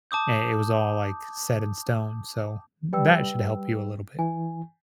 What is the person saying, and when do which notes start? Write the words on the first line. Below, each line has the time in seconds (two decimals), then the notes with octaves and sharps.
i it was all, like, set in stone, so that should help you a little bit.
0.11 A5 D6 D#6 G6
2.93 G3 B4 G5 E6
4.19 E3 G#5